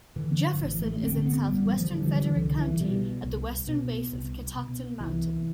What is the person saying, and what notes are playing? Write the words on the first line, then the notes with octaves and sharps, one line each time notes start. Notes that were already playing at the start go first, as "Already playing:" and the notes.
Jefferson is in southwestern Frederick County at the western base of Catoctin Mountain.
G2 D3 E3
F3
A1
A3
G2 D3 C4
B3
A1 G3
E3
F3
G2 D3
E3
F3
E3
C2 D3
E3
B2 G3
C2
B2
C2
B2
C2 E3